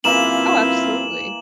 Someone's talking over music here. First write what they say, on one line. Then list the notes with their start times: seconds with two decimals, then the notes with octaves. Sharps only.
Oh, absolutely.
0.04 F#2 E3 A#3 C4 E4 F4 E7 F#7